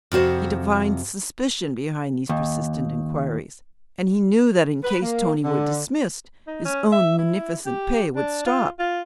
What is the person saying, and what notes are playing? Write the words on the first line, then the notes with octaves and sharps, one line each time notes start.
He divined suspicion behind these persistent inquiries, and he knew that in case Tony were dismissed, his own munificent pay would stop.
F2 C3 F#4 C5
D#2
B4
A#3
D3
D#4
C#4
E5
E4
G4
D4
F4
F4